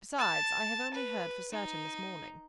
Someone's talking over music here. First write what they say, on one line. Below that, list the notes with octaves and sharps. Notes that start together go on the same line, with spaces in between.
"Besides, I have only heard for certain this morning."
A5
B4
D#4